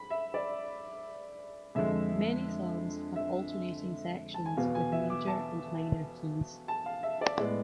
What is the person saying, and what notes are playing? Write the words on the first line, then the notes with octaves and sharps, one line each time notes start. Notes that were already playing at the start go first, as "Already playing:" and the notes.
Many songs have alternating sections with major and minor keys.
Already playing: B5
E5
D5
F2 D3 G#3 E5
E5
A5
G#5
E2 B2 B3 F5
G#5
E5
D6
A5
A5
F5
E5
D5
A2 G#3 B3 D5